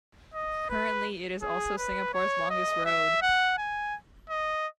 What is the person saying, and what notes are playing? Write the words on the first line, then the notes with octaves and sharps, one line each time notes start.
Currently, it is also Singapore's longest road.
D#5
B4
G#4
B4
C#5
D#5
E5
F#5
G#5
D#5